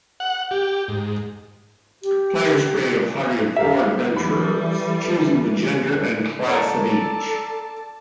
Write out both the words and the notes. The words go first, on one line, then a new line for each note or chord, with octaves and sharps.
Players create a party of four adventurers, choosing the gender and class of each.
F#5
G4
G#2
G4
G4 A#4 E5 F5
E3 G3 A4 B5
A4 C#5 D5 A5 A#5 D7